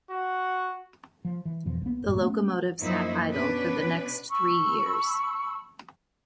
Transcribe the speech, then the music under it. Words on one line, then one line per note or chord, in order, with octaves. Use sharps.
The locomotive sat idle for the next three years.
F#4
F3
E3
E2 B2 E3 F3
C2 B3
F1 C2 G2 A#2
F#3 A3 B3 C#4
F#2 F3 A#3 D#4 E4
B2 C#4 D4 B4
A5 B5 C#6 E6